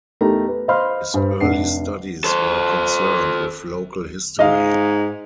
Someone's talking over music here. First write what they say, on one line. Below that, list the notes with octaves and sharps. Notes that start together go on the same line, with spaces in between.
His early studies were concerned with local history.
E2 A3 D#4 G4 A#4 A#5
B4
C5 D#5 F5 B5 C6 F6
G2 C5
F1 D4 F#5 C7
A4 C5
G#2 D#5 F5